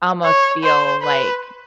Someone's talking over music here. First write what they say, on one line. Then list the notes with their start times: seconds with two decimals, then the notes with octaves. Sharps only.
almost feel, like,
0.24 C#5
0.63 C5
1.02 B4